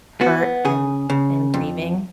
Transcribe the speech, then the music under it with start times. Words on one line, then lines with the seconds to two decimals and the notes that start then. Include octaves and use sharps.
hurt and and grieving,
0.21 B3 F#4
0.65 C#3 G#4
1.10 C#3
1.54 F2